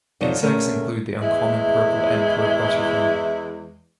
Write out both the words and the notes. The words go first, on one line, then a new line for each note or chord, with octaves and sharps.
Insects include the uncommon purple emperor butterfly.
F2 F#3 D#4 F4 D5
A#2 D3 A3 C#4 G#4 A#4
E2 G#3 E4 E5